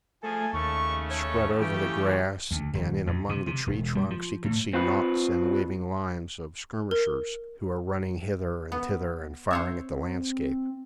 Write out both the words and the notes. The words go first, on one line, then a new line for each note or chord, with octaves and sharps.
Spread over the grass and in among the tree trunks, he could see knots and waving lines of skirmishers who were running hither and thither and firing at the landscape.
F3 A3 G#4 A4 G#5
D#2 C#3 A3 C#6
A4 C#5
E3 G4 G5
D2
D#1
F2
C3
C3
E1
G3
F3
A2
C4 F4 B4
A#4
B3
C4 C5 C#5 E5